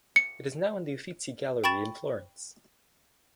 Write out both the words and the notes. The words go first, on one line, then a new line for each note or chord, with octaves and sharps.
It is now in the Uffizi Gallery in Florence.
C#7
G5 B5 C#6 A6 E7